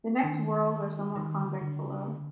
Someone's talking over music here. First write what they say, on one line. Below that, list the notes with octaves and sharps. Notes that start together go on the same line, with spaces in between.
The next whorls are somewhat convex below.
D#3
D#3
D3
D3
C#3
D3